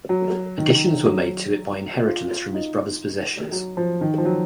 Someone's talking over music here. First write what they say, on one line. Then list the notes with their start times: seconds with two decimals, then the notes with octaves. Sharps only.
Additions were made to it by inheritance from his brother's possessions.
0.09 F#3
0.58 D#3
1.06 F#3
2.05 F4
2.30 F4
2.54 D#4
3.52 F#3
3.77 F3
4.01 D#3
4.18 F3
4.25 F#3